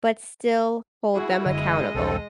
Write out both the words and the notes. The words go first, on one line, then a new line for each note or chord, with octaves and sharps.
but still hold them accountable.
E4 F#4 G#4
F#1 D3 G#3 D#5
B1 E2 G2 C4 A4